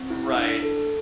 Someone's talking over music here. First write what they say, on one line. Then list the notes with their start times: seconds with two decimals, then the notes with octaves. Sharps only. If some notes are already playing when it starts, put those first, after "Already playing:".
Right, a
Already playing: C4
0.10 E4
0.37 D4
0.62 A4